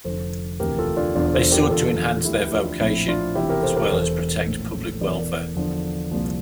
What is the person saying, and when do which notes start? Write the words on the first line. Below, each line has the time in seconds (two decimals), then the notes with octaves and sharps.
They sought to enhance their vocation, as well as protect public welfare.
0.04 F1 F2 D3 F3 A4 C5
0.60 E1 D2 C3 E3 G4 A#4
0.78 F4 A4
0.96 D4 F4
1.15 E1 E2 D3 D4 F4
1.33 A4 C5
1.52 G4 A#4
1.70 E1 E2 D3 F4 A4
2.25 D2 D3 F3 E4 G4
2.53 D4 F4
2.80 A#1 A2 F3 C4 E4
3.08 D4 F4
3.35 E1 E2 C3 E4 G4
3.49 G4 A#4
3.63 A4 C5
3.76 G4 A#4
3.91 E1 E2 E3 A4 C5
4.46 A#1 A2 F3
5.01 E1 E2 E3 A#4 D5
5.56 E2 D3 F3
6.11 C2 A#2 F3